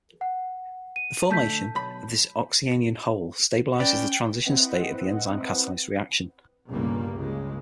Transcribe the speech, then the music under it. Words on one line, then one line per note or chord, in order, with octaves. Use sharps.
The formation of this oxyanion hole stabilizes the transition state of the enzyme-catalyzed reaction.
F#5
D#7
D2 A3 A5 G6 B6
B1 B5
C#4 B4 D5 G5
C4 E4 B4 D#5 F#5
G1 C#2 G2 B2 G3 A#3
C#2 G2 C#3 G#3 A#3